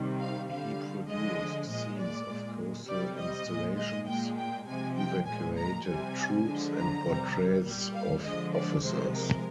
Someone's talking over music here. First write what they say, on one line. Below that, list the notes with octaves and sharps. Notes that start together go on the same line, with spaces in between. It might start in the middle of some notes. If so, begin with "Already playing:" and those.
He produced scenes of coastal installations, evacuated troops and portraits of officers.
Already playing: C3 D#3 G3
F5
D3 G3 F5
D3 F3 G#3 D#5
A#2 G#3 D#5
D5
A#2 G#3
C3 G3 D5
D#5
A#2 G#3
D#5
A#2 G#3 G5
G5
C3 F3 G#3 G#5
G5
A#2 F3 G#3 G#5
A#5
C3 G3 G#5
D3 F3 G#3
A#5
C3 G3
A#2 G3
F5
D3 F3 G#3 D#5
D5
C3 F3 G#3 C5
A#4